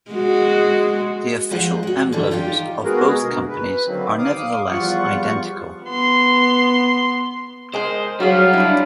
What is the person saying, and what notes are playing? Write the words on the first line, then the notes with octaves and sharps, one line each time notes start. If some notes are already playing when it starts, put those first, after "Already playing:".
The official emblems of both companies are nevertheless identical.
G#3 F#4
F3 G#3 F4 C5 F#5
G#3 F#4
D3 E3 G3
D#4 F4 G4 F5 G5
G#3 B3 F#4 G#4 A#4
D2 B2
B4
D3 D#3 F#3 A#3 C4
F5 D6 D#6
E2 F3 G3 F4 F#5 C#6
B3 C6
G#3 A#4 C5 G#5
F#3 G3 F4 F#4 G#4
D4 E4